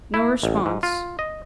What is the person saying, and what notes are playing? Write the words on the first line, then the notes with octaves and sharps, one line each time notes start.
No response.
E4
A1
G#2
F4
D#5